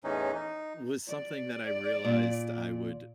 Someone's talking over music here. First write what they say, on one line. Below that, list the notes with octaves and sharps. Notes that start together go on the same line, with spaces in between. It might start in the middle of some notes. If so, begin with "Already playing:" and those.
was something that I realized I would
E2 A2 E3 C#4 D#4
D#4
D5
A#2